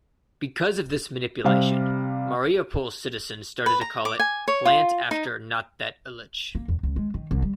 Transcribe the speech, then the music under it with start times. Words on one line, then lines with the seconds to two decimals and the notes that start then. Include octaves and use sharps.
Because of this manipulation, Mariupol citizens started to call it "Plant after not-that-Illich".
1.45 C3 G3 F5
3.66 B4
3.81 A#5
4.05 D6
4.19 G#5
4.48 C#5
4.65 F4
5.11 D#4
6.55 A#3
6.68 E2
6.83 C#2
6.96 G#3
7.14 D#3
7.31 C2
7.42 G3